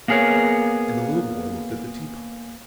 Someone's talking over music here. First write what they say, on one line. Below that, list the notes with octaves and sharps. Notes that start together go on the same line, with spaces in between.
And the little boy looked at the tea-pot.
A#3 B3 G#4 A#4 C#5